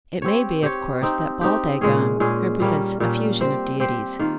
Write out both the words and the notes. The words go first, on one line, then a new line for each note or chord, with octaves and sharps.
It may be, of course, that Baal-dagon represents a fusion of deities.
C4 G4 C#5
C4 G4 C#5
C4 D#4 G4
C4 D#4 G4
A#2 G#3 C#4 G#4
A#2 G#3 C#4 G#4
A#2 G3 A#3 C#4
A#2 G3 A#3 C#4
C4 G4 C5
C4 G4 C5
D#3 A#3 F4